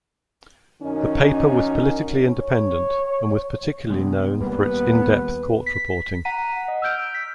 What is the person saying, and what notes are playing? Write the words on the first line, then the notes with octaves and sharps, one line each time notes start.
The paper was politically independent and was particularly known for its in-depth court reporting.
F#2 D#3 C#4 D#4
C#5
C3 G#3 B3
D#2 G3 A#3 B3 B4
B6
F#5 A#5 B6 D#7
D#5
E6 F6 G6 D7
B6